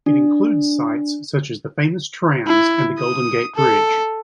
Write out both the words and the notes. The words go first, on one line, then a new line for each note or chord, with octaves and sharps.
It includes sights such as the famous trams and the Golden Gate Bridge.
D4
E4
D#6
A4